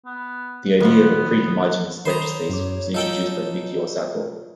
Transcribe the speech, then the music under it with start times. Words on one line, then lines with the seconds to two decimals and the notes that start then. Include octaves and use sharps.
The idea of a prehomogeneous vector space was introduced by Mikio Sato.
0.05 B3
0.80 D#2 F3 B3
2.05 D#3 C5 C#5 A#5 B5 D#6
2.49 F#2 D6
2.94 D#4 F4 A4 G5